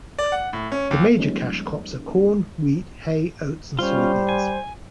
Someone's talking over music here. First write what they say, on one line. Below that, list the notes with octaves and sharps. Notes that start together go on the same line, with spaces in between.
The major cash crops are corn, wheat, hay, oats, and soybeans.
D5
F#5
A2
C#4
D#2
F3 G3 G#3 A#3 C#4 D#4
G3 C#4 F4 C5
G#5